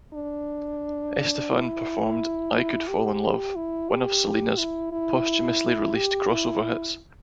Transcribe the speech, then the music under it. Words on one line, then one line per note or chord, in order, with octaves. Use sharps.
Estefan performed "I Could Fall in Love", one of Selena's posthumously released crossover hits.
D4
E4
E4
G4
E4
G4
E4
E4
G4
E4